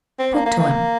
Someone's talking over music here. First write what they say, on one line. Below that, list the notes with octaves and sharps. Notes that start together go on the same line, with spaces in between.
Talk to him.'
C4
A#3
A#3
A#3